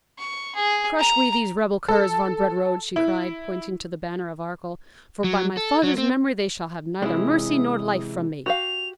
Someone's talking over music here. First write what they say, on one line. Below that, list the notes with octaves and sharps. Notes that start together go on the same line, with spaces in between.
"Crush we these rebel curs, von Brederode," she cried, pointing to the banner of Arkell; "for by my father's memory, they shall have neither mercy nor life from me."
C#6
G#4
A#5
A4
E4
F#3
A4
F#3
C4
C3 E3 G#3 C#4 E4 D#6
F#4 G4 F5 F7